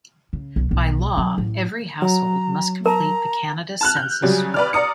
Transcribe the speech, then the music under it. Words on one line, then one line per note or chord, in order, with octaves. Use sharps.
By law, every household must complete the Canada Census form.
C#3
B1
B1
F#3
A1
F#3 A#5
A#4 A5 A#5
A5 F6 F#6
G6
C#3 F#3 G3
B4 D5 F6
D5 A#5 D#6 C#7